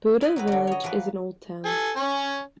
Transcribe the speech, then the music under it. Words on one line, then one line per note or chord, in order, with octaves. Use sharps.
Bhutta Village is an old town.
E4 B4 D#5
F#3 C4 B4
D3 F#3
C#5 D#5
E3 F3 A#4 B4
A4 G#5
C#4 C#5